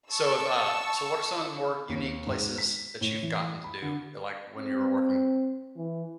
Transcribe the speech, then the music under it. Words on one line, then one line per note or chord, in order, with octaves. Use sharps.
So if, uh, so what are some of the more unique places that you've gotten to do, eh, like when you were working,
A5 C#6 E6
D#2
G#2
B6
A2
E3
B5
D3
C4
E3